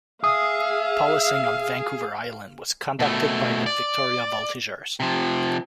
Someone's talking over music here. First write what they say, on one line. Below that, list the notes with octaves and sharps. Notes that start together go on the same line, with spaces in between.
Policing on Vancouver Island was conducted by the Victoria Voltigeurs.
G#4 E5 F5 D#6
B2 A3
D5
C3 F3